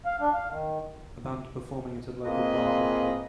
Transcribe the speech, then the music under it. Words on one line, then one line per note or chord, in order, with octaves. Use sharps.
A band performing at a local bar or club.
F5
D4
F5
D#3
A#3 C4 F4 G#4 B4 D#5